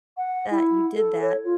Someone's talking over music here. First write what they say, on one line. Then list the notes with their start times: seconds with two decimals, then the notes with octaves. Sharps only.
that you did that,
0.17 F#5
0.50 E4
0.96 A4
1.21 C#5
1.44 F4